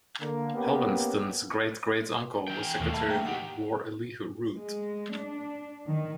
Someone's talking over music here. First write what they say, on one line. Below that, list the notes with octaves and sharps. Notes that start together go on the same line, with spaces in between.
Helvenston's great-great-uncle was Secretary of War Elihu Root.
D3 A#3
A#3 B3 C#4 G4
E3 G5
D#2 B2 D#3 A3 A#3
E5 A5 B5
G5 A#5
D#3 G4 F#5
G#3
D4
D#3